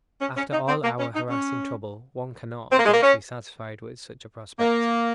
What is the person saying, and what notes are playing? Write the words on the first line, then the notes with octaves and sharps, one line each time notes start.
After all our harassing trouble one cannot but be satisfied with such a prospect.
C#4
C#4
D#4
C4
A#3
C#4
D#4
C#4
C4
A#3
G#3
A#3
C#4
A#3